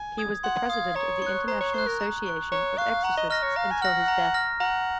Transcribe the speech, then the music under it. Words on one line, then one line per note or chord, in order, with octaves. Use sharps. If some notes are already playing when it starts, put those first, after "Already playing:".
He was the president of the International Association of Exorcists until his death.
Already playing: G#5
D#6 G#6
F#5 C6
F5 D#6 G#6
C#5 A#5
C#6 F#6
C5 A#5
C#5
C5 C#6 F#6
A#4
A#5
C#6 F#6
C#5 A#5
F5 C#6 F#6
F#5 A#5
D#5
D#5 F6 A#6
C#5
F5 A#5
G#5
F#5 F6 A#6
A#5
F6 A#6
F#5 A#5